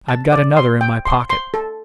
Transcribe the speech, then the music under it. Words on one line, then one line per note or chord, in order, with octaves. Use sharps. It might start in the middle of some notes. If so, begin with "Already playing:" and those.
"I've got another in my pocket."
A5
D5
C6
G5
C6
C6
A4